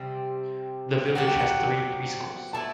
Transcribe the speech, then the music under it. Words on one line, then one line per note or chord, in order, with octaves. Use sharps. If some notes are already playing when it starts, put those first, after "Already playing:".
The village has three Preschools.
Already playing: C3 G3 C4
F#3 C4 G4 D5 F#5
G5
F#5
A3 E4 A4 D5 A5